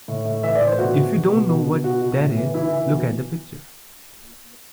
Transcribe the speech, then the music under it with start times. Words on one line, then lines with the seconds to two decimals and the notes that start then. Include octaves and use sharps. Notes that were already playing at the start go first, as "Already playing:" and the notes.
If you don’t know what that is, look at the picture.
0.08 A2
0.25 A2
0.43 E3 E5
0.55 D5
0.61 A2
0.67 C5
0.78 B2 F#4
0.95 B2
1.13 B2
1.31 B2
1.49 B2
1.67 B2
1.84 B2 F#4
2.02 B2
2.19 A2
2.37 E3
2.54 E3 E4
2.72 E3
2.89 B2